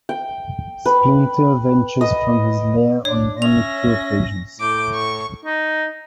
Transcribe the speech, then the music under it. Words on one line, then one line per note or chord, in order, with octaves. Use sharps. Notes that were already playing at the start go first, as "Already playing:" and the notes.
Splinter ventures from his lair on only two occasions.
G5
B4
D#5
D4 C#5
C#4 E5 A#6 F7
A2 D6 G6
C#6
D#4